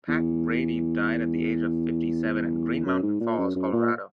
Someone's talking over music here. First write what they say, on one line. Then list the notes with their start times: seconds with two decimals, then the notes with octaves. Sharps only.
Pat Brady died at the age of fifty-seven in Green Mountain Falls, Colorado.
0.08 E2
2.85 F#2
3.02 G#2
3.20 A#2
3.38 F#2
3.55 F#2
3.72 A#2